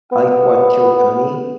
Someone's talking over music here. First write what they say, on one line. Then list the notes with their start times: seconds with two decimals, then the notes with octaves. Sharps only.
I like to watch Kill Tony,
0.12 B3